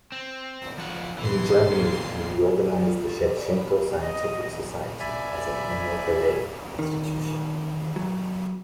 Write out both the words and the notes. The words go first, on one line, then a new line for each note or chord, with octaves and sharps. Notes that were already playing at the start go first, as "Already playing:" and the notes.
In Germany, he reorganized the Shevchenko Scientific Society as an émigré institution.
C4
F3 F#5
B2 E3 A4 C6
F2 A#2
D5
F4
A4
D#5
D5
B5
D#5
D5 E5 G#5 B5
D#3
F#3